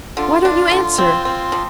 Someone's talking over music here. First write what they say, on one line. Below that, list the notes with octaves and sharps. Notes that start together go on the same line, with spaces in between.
Why don't you answer?
D3 F4
D4
D3
C4
C4
F3